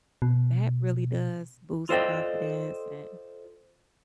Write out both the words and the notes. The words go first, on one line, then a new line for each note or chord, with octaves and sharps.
that really does boost confidence and
B2
F4 A4 C5 D5 D#5 G5